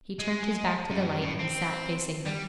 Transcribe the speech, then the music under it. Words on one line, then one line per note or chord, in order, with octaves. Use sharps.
He turned his back to the light, and sat facing her.
G#3
F#2
A2
C4
G3